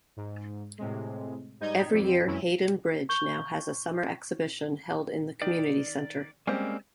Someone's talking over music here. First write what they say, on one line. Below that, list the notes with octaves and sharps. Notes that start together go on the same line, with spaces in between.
Every year Haydon Bridge now has a Summer Exhibition held in the community centre.
G#2
A2 C3 G#3
G#2 G3 D#4 D#5 G6 G#6
F2 G3 C4
F#2 E3 F#3 G#3 C#4 E4
C#6 G6 G7
D#3 D5
G3 G#3 A#3 C4 C#4